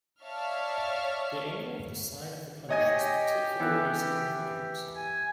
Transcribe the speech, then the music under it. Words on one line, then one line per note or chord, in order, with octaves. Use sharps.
The angle of the side of the punch was particularly significant.
C#5 D5 E5 F5 A5 F6
G4 C#5 D#5 G#5
E3 B3
G#5